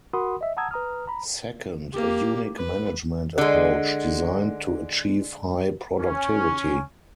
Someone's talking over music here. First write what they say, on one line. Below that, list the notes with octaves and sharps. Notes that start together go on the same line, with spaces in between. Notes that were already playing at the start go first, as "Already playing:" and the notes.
Second, a unique management approach designed to achieve high productivity.
F#4 A#4 F#5 B5 C6 D#6
D#5 E5
F#5 A5 A#5 D#6 E6 G#6
B4 A#5 D#6 F6
A#5 B5
A#3 G4
B4
D3 G#3
C#4